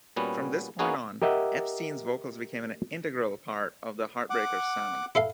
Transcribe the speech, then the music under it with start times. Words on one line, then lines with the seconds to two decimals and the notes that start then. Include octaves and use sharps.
From this point on Epstein's vocals became an integral part of the Heartbreakers' sound.
0.16 A#2 G3 B3 C#4 F#4
0.79 A#3 B3 C#4 D#4 F#4 G#4
1.22 G4 A#4 D#5 E5 F#5
4.30 F#5 D6
5.15 E4 A4 F5